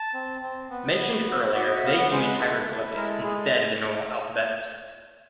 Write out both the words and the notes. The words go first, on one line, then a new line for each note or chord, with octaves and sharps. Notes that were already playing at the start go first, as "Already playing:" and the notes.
Mentioned earlier they used "hieroglyphics" instead of the normal alphabets.
Already playing: A5
C4
C4
B3
B3
F#4
F#4 D5
D#5
E5
B3 F5
F#5
G#3 C5
B4
A3
E4
G#3 A#4
A4
G#3 G#4
A4